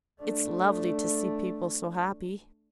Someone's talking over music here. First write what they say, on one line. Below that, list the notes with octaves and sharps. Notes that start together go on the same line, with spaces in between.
It's lovely to see people so happy.
A3 D4